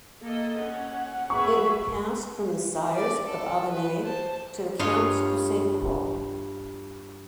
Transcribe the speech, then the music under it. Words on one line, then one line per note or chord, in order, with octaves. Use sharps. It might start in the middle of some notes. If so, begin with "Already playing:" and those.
It had passed from the sires of Avesnes, to the Counts of Saint Pol.
A#3 A4 D#5
C#4 F#5
G#4 B4 E5 C#6
D5
A4
B4
C5 A5
G2 F4 C#5 D#5 F5 C6